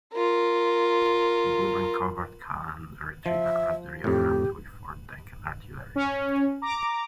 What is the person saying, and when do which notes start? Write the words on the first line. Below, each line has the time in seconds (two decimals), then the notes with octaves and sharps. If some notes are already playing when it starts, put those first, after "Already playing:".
Burbank covered Callahan's retreat across the Rio Grande with Fort Duncan artillery.
0.13 F4 A#4
3.26 F3 E5
4.04 F2 A2 G4
5.96 C#4
6.62 A#5 D6